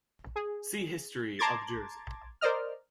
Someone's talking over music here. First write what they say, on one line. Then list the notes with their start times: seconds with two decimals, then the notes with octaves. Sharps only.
See History of Jersey.
0.36 G#4
1.39 A5 A#5 C6 D6 G#6 A6
2.41 A#4 C5 D5 D#5 F6